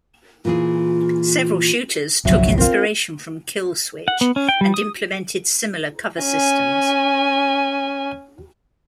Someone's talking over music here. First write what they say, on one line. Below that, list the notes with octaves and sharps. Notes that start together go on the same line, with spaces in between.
Several shooters took inspiration from "Kill Switch" and implemented similar cover systems.
A#2 E3 F4 G#4
G1 C2 F3 F#3 E5
C4 F4 A#4
F#5
B3
C#4
G5
G3
D#6
C#4 G#5